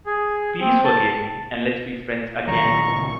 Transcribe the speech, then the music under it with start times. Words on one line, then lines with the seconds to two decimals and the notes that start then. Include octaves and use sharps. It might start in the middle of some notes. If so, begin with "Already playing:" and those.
Please forgive me, and let's be friends again.
0.06 G#4
0.60 C4
0.84 A5
2.47 C#2 A#2 D#3 F#3 A#5 C#6